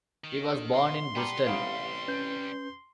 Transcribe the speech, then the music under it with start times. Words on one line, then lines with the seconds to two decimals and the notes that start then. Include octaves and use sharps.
He was born in Bristol.
0.24 D#3
0.74 C6
1.16 G3 B3 B4 A5 A#5
1.47 A1 C3 G3 B3 F5
2.08 C#4 B4 G6